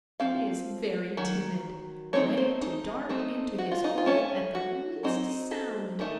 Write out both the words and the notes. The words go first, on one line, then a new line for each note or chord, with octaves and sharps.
He is very timid, ready to dart into his hole at the least sound.
F3 C4 F5
D#3 F#3
A3 C4 D#4 C#5
C5
D#4
A3 C4 D#4
F#4
F4
D#4
F4
A3 C#4
F#4
F#3 C4 D#4
A4
D#3 A3 D#4